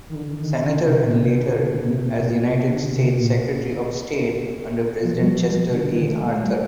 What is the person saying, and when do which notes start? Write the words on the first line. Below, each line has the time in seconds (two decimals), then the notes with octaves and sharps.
Senator and later as United States Secretary of State under President Chester A. Arthur.
0.09 D#3
0.15 D3
0.39 D#3
0.62 D3
0.84 C3
1.02 A#2
1.20 C3
1.38 D3
1.54 C3
1.72 D3
1.82 A#2
1.90 C3
2.06 A#2
2.24 A#2
2.47 C3
2.70 D3
2.94 C3
3.18 A#2
5.03 F3
5.21 G3
5.39 F3
5.69 C3
5.73 D3
5.90 D#3
6.08 A3
6.21 G3
6.25 A3
6.43 G3